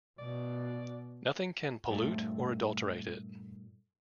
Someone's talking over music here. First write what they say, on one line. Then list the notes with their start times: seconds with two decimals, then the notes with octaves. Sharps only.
Nothing can pollute or adulterate it.
0.19 B2 D5
1.90 G2 A#2 A3 C4